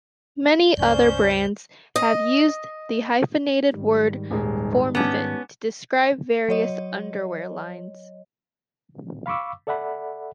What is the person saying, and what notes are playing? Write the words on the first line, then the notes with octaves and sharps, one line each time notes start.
Many other brands have used the hyphenated word "Form-Fit" to describe various underwear lines.
C#2 G2 C#4 C5 D5 G6
D#5
G#2 D#3 G3
D#1 G#3
B3 C#4 A5 D6 E7
F#3 C#5 D#5
F5 B5 C#6 D6 E6
A4 D5 E5 F#5 B5